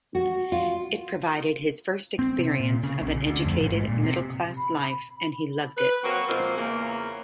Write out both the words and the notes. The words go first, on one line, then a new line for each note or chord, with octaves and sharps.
It provided his first experience of an educated, middle-class life, and he loved it.
F#4
F4
C4
C3
A#2
C#3
B1
C#3
D2
F2
A1
G#2
A#2
C3
B5
B4
F#3 A#3 C4 F#4
A#2 F3 G#3 A#3 C4 F4
E2 C#3 E3 A#3